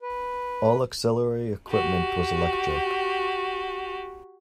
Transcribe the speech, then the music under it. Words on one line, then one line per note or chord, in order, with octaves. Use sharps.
All auxiliary equipment was electric.
B4
F#4 G4